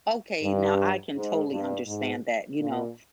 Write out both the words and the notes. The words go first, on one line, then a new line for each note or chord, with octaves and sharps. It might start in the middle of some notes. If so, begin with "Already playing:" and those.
Okay, now, I can totally understand that, you know,
G2
G#2
G2
G#2
A#2